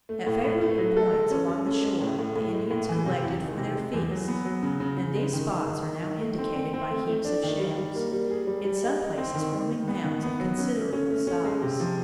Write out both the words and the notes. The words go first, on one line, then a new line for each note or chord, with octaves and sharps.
At favorable points along the shore the Indians collected for their feasts, and these spots are now indicated by heaps of shells, in some places forming mounds of considerable size.
A3
A2
A2
A3
F#3
A4
G#3
C#4
A4
C#4
G#3
A2
A2
A2
G#3
A2
E3
C3
E2
D#3
C3
G#3
E2
F#3
B3
F#3
C#3
C#3
C#3
G#3
D#3
D#3
D#3
D#3
D#3
A3
C4
C4
C4
A3
A3
D4
D#3
G3
G3
A#3
G3
G#4
G3
G3
D#4
D#4
C4
D#3
D#3
D#3
B3
D#3
B3
F#3
C#4
A3
C#4
A3
C#4
G#3
C3
F3